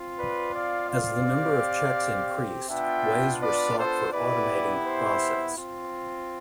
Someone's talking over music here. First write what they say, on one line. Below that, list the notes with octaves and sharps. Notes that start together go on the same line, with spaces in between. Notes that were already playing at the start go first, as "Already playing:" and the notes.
As the number of cheques increased, ways were sought for automating the process.
Already playing: C4 F4
B4 D5
D5 F5
D5 F5
C4 G4
B3 D4 F4 E5 G5
B4 D5
A4 C5
B3 E4 G4 B4 D5
C5 E5
C4 F4